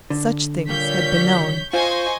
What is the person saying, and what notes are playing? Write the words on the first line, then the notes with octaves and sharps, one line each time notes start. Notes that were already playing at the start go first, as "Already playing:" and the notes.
Such things had been known.
D3
A#2 G3 C#5 G6 B6
F4 C5 D#5 G#5 C#6